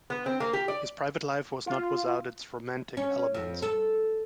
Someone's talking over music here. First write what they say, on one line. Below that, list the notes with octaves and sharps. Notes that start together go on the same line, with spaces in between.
His private life was not without its romantic elements.
B3
C4
A#3
G4
D5
F4
C#4
F2
A4